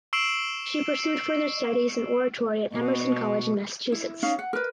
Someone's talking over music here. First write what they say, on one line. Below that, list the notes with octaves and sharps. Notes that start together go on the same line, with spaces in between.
She pursued further studies in oratory at Emerson College in Massachusetts.
C#6 E6 C7 D7 E7 F#7
B2
E4
C#4 D#4 F5
F#5
A#4 B4